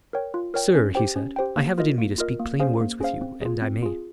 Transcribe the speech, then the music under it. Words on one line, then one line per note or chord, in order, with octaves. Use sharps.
"Sir," he said, "I have it in me to speak plain words with you, and I may."
A#4 C#5 G5
F4
A#4 C#5 G5
C#4
G4 C5 G5
C#4
G4 C5 G5
A#3
F4 A#4 D#5
A#3
F4 A#4 D#5
A#3
C#4 G#4 C5 F5
A#3
C#4 G#4 C5 F5
C4
F4 G#4
C4
F4 G#4